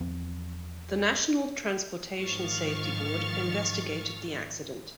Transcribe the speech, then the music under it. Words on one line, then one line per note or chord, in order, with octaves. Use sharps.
The National Transportation Safety Board investigated the accident.
E2 F3 B3 C4
G#2 D#3 F3 C#6 F6 A6